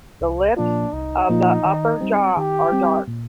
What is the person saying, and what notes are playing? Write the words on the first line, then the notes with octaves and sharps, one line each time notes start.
The lips of the upper jaw are dark.
C2
A#2 F3 A#3 D4 F4
C2 D#4
A#2 F3 A#3 F4
D#3
G3 C4
D#3 G4
G3 C4
A#2